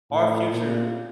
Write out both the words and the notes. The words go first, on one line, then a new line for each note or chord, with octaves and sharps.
Our future
A2
A#2